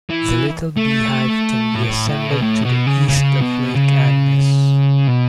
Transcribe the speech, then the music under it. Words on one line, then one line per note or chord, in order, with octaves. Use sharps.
The Little Beehive can be ascended to the east of Lake Agnes.
E3
A3
A2
A2
B2
A2
B2
C#3
C#3
B2
C#3
B2